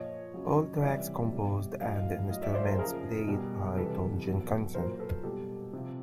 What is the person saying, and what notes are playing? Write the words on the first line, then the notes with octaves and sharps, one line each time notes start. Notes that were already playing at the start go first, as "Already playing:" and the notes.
All tracks composed and instruments played by Tom Jenkinson.
Already playing: A#2 F3 C#5 D#5
C#3 F#3
C3 E3 G3 D5 E5
B2 G3
A2 F#3 D#5 F5
A2 F#3 D#5 F5
D5 E5
C5 D5
A#4 C5
C#3 F3 G#4 A#4
B2 G3
C3 E3 G3 A4 B4
B2 F#3
A#2 F#3 A#4 C5
A4 B4
B2 G3 G4 A4
C3 F3